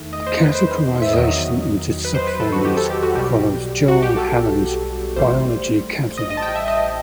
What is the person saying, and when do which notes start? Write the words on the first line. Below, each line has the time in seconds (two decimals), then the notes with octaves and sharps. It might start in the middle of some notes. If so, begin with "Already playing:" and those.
The categorization into subfamilies follows Joel Hallan's Biology Catalog.
Already playing: E2 D#3 A3
0.13 D#5
0.27 C5
0.41 B4
0.55 C5
1.02 E5
1.13 E2 D#3 F#3 D#5
2.05 B4
2.15 C5
2.27 B4
2.40 A4
2.52 F#4
2.65 G4
2.77 A4
2.90 G4
3.03 F#4
3.15 B1 B2 G3 G4
3.88 F#4
4.02 G4
4.16 A4
5.16 A1 A2 G3 C5
6.17 D#5
6.30 D#5
6.37 A5
6.42 G5
6.55 E5
6.68 D#5